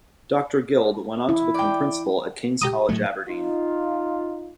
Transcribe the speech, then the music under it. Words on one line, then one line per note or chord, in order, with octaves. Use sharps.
Doctor Guild went on to become principal at King's College, Aberdeen.
E4
D5 G5
G4 A#5 D#6
A2 F#3 A3
D#4 F4